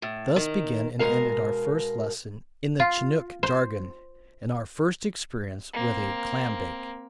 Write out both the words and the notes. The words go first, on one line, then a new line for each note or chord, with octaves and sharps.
Thus began and ended our first lesson in the Chinook jargon, and our first experience with a clam bake.
A2
D#3
B2 D#3 G#3 A#4 F5
F4
C5
A#3 C4